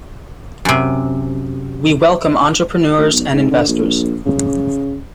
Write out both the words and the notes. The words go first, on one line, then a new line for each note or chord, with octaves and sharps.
We welcome entrepreneurs and investors.
F#2 C3
D2
B1
G#2
D3
A#1
C#3